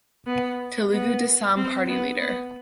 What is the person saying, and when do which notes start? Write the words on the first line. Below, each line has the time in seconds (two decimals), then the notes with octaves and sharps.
Telugu Desam Party leader.
0.26 B3
0.92 B3
1.56 C4
1.89 B3
2.21 B3